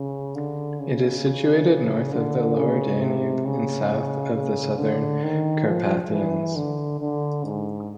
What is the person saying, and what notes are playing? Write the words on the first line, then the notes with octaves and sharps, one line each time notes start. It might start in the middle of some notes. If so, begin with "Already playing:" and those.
It is situated north of the Lower Danube and south of the Southern Carpathians.
Already playing: C#3
D3
C#3
D3
C#3
C3
C#3
C#3
D3
D#3
F3
E3
D3
D3
G#2